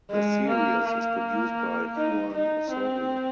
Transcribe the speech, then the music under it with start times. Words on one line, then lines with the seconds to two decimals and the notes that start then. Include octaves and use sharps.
The series is produced by Juan Osorio.
0.10 G#3
0.48 A#3
0.85 A#3
1.96 D#4
2.33 D#4
2.71 C4